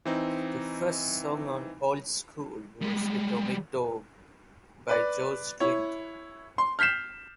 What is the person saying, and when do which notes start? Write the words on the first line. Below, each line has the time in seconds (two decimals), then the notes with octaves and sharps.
The first song on "Old School" was "Atomic Dog" by George Clinton.
0.06 E3 C4 D#4
2.82 G3 G#3
4.89 B4 D5
5.60 E4 C#5
6.58 C6
6.79 F6 G6 B6 C7 E7